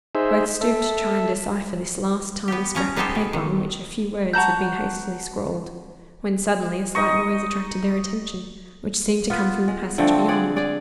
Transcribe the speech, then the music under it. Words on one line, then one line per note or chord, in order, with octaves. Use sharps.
Both stooped to try and decipher this last tiny scrap of paper on which a few words had been hastily scrawled, when suddenly a slight noise attracted their attention, which seemed to come from the passage beyond.
D#4 G#4 C5 E5
A4 E5
B3 G4
F3 C#4 A#5
G#3 B3 D#4 G4 A4 C5
B2
D#3
F#4 A5 A#5 G6
D#4 D#5 C#6
B3 F4
G#3
D3 F3 A3 C4
G#4 D5 F#5
G#4 D5